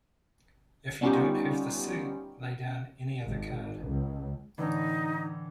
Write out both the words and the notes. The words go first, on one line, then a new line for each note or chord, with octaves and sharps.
If you don't have the suit, lay down any other card.
G3 B3 C#4 D#4 F4 G4
G#1
C#2
A2 D3 E3 D#4